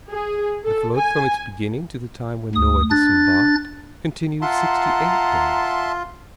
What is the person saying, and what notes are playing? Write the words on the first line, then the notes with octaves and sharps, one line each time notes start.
The flood from its beginning to the time when Noah disembarked continued sixty-eight days.
G#4
A4
G#5
D2 D#6
D4 F#6 A6
F4 E5 F#5 A5 A#5 C6